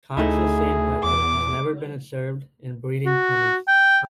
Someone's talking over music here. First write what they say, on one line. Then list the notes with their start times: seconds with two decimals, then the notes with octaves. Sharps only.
Cox's sandpiper has never been observed in breeding plumage.
0.17 D2 A3 D#4 E4 G#4
1.04 E2 D6
3.05 F#4
3.68 G5